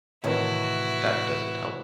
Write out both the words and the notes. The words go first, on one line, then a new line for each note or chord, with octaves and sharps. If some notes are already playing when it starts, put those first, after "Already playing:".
That doesn’t help.
A2 C3 D#3 E3 E4 F#4 A#4 C#5